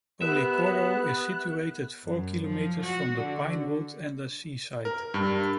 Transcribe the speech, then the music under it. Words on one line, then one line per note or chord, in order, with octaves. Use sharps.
Policoro is situated four kilometers from the pinewood and the seaside.
B3 G4 A#4 B4 E5 F#6
F#2
F3
F#4
D3
A#4
G2